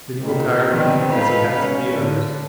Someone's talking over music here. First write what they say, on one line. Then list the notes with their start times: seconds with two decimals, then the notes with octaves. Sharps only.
Then he will tire of you as he has of the others.
0.20 A#2 D#3
0.70 D3 D#3 G3 B3 C4
1.12 G#3 D#4 A4 B4 F5
1.56 C#4
1.91 D3